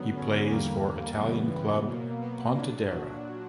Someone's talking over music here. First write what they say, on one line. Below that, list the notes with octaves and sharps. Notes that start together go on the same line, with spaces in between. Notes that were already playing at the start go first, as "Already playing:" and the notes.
He plays for Italian club Pontedera.
Already playing: F#2 D3 F#3 B3
C#4
E2 D3 G3 A#3
A#3
F#2 C#3 E3 G3 B3
B3
B2 F#3 A#3
B3
A#2 F#3 D4
F#4